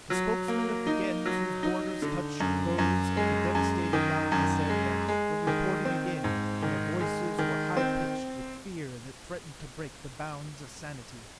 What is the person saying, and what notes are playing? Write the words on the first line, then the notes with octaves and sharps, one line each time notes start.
The Spokesmen of the Gens whose borders touched those of the devasted Dalis area, were reporting again, and their voices were high pitched with fear that threatened to break the bounds of sanity.
F#3
A#3
D#4
F#3
D#4
D3
F#2
F#2
G#3
F#2
D#3
F#2
G#3
G#3
D#3
C4
G#2
D#3
G#3
D#3
C4